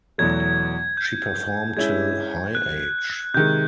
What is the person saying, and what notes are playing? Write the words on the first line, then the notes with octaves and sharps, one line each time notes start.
She performed till high age.
E2 B2 F#3 A3 G#6
G6
G#3 C#4 E4 G#6
F#6
C3 D#3 G#3 G6